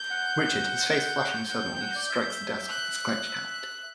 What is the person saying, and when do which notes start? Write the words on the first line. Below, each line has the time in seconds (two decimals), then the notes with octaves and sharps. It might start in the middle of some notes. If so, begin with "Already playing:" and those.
Richard, his face flushing suddenly, strikes the desk with his clenched hand.
Already playing: G6
0.10 F#5
0.90 G6
1.50 F#5
1.72 G5
1.80 F#5
1.95 D5
2.09 E5
2.69 F#6
3.29 E5